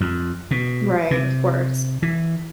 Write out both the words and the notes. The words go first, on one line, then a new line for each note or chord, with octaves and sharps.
Right, of course.
F2
B2
C3
E3